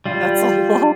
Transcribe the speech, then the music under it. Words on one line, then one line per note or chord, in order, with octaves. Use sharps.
That's a lot.
G3 F4